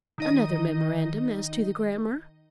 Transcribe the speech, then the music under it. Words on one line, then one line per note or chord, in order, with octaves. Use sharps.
Another memorandum as to the grammar.
D#3 D#4 D#5